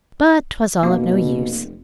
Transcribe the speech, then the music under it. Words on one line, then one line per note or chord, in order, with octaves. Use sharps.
But 'twas all of no use.
F1 B2 A#3